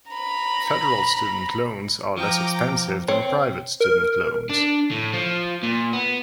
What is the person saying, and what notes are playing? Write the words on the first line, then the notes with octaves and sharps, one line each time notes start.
Federal student loans are less expensive than private student loans.
A#5 B5
F3 G5 A#5 D6
C4 C#5 G5
A#4
D4
A2
F3
A#2
B3